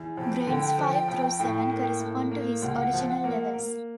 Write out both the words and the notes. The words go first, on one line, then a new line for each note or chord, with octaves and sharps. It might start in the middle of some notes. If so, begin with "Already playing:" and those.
Grades five through seven correspond to his original levels.
Already playing: E2
F2 G5
D3
F3
F2
A2
A#3
A2
A#3
C#2 F#5
F3
A#3
A#3